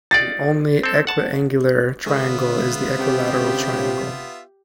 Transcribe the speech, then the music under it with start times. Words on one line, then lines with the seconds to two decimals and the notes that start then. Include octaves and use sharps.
The only equiangular triangle is the equilateral triangle.
0.11 D#4 F4 D5 A6
0.83 C4 A4
1.07 F#5 A5
2.06 D3 G#3 B3 C#4 F4 E5
2.98 C3 G4